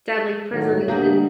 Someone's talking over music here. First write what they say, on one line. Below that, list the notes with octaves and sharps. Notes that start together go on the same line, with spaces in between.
deadly prison is in
A2 D#3 F#3
D2 B2 G3 A#3 G4 G#4